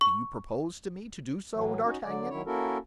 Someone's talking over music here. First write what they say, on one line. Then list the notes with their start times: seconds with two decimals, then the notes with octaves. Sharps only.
"Do you propose to me to do so, D'Artagnan?"
0.01 C#6
1.54 A2 E3 F#3
1.83 C#4 D#4 F#4
2.04 D3 F#3 D5
2.30 D#3 F#3 E4 C#5
2.46 A#3 C#4 E4 F#4 A4 A#4